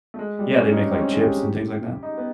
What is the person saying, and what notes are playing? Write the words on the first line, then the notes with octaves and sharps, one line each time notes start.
Yeah, they make, like, chips and things like that.
A3
G#3
G3
C#4
D#4
D4
C4
C#4
G#4
G4
D#4
B3